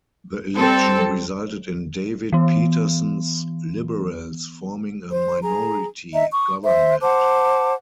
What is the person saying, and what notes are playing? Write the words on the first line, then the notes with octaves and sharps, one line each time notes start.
The election resulted in David Peterson's Liberals forming a minority government.
G3 C4 A4
E3 B3
C5
G#4 A#5
D#5 E5 A#5
C#6 D#6
C5 E5
C5 F#5 A5 D6